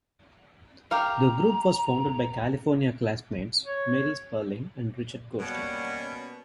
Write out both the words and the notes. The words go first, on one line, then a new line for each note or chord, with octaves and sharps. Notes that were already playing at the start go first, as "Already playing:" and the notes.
The group was founded by California classmates Mary Sperling and Richard Gosting.
G4 A#4 F5 A#5
C#5
B2 G3 A#3 C#4 F#5